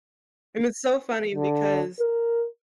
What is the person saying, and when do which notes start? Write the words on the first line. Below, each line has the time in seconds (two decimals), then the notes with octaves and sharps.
And it's so funny because
1.35 D3
2.00 A#4